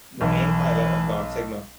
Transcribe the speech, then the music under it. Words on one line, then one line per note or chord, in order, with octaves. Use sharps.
The main pilot of God Sigma.
B1 E3